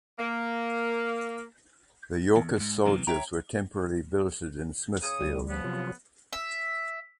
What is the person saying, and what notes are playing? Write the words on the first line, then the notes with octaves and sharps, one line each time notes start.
The Yorkist soldiers were temporarily billeted in Smithfield.
A#3
E2
D#2 G#2
F#2 C3 E3
C#5 D5 E5 G5 A#5
C#3 C#5 D#6
D2 G3
C#3 F3 B3
C3 F#3 F4
E5